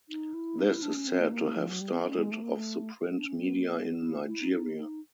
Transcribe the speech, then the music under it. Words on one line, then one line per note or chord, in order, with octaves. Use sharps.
This is said to have started off the print media in Nigeria.
D#4
E4
D#4
E4
D4
C#4
C4
A3
A#3
F3
F#3
G3
C4
C#4
G#3
A3
A#3
A3
D4
C#4
C4
B3
A#3
B3
E4
E4
D#4
D#4
D#4